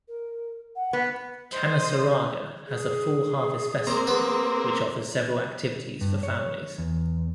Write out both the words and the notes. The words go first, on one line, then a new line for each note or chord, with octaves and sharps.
Canaseraga has a Fall Harvest Festival which offers several activities for families.
A#4
F#5
B3
C5 D#5
G#4
A#3 C4 C5 A#5
B3 B4
G2
C#5
E2